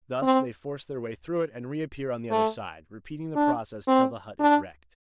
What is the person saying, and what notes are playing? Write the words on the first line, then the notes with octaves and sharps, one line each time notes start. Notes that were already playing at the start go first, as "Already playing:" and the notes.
Thus they force their way through it and reappear on the other side, repeating the process till the hut is wrecked.
C4
A3
D4
C4
D4